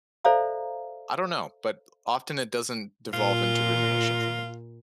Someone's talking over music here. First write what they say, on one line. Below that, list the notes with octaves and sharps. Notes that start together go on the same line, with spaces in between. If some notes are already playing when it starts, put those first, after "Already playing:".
I don't know, but often, it doesn't devolve into rumination for me.
A4 C5 D5 E5 F5 A#5
A#2 F4